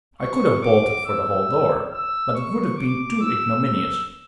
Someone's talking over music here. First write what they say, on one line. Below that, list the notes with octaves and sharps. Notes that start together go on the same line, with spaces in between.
I could have bolted for the hall door, but it would have been too ignominious.
C#6
D6
E6
E6
C#6
D6
E6
E6